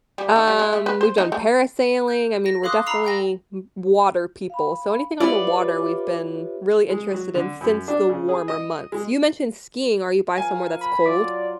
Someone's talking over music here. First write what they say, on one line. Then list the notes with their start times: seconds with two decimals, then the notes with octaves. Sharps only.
Um, we've done parasailing. I mean, we're definitely w water people, so anything on the water, we've been really interested in since the warmer months. You mentioned skiing. Are you by somewhere that's cold?
0.18 G3
0.36 D#3
0.48 G3
0.59 E4
0.73 A3
0.86 B4
1.01 C5
1.18 D#4
1.32 A3
2.08 G6
2.46 A#6
2.64 A4 F5 C6 D6 D#6 F#6
2.86 A#5 B5 E6 C7 F7
3.06 G5 A#6
4.50 F5 B5
5.20 B3 E4 F4 G4 B4 C#5 D5 E5
6.89 G#3
7.12 F#3
7.35 D3
7.61 F#2
7.88 D4
8.09 C#3
8.29 G#4
8.48 D#5
8.92 G#3
10.38 F3 A#4 F5 G#5
10.81 B5
11.06 F#3 F4 D5